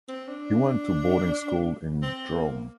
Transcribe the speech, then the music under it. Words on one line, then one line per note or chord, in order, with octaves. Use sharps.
He went to boarding school in Drôme.
C4
D4
C4
A#3